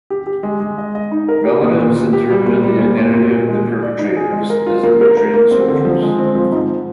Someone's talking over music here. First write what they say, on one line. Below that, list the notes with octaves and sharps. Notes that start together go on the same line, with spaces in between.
Relatives interpreted the identity of the perpetrators as Eritrean soldiers.
G4
G4
G#3
G#3
D#5
D#5
D#4
A#4
G4
A#2
A#2
A#2
G4
G3
A#2
G3
A#2
A#2
A#2
A#2
G#3
G#3
D5
D#4
G#4
G#3
A#4
F4
A#3
A#4
A#4
A#3
C4
D3
F3
G#3
C4
F3
G#2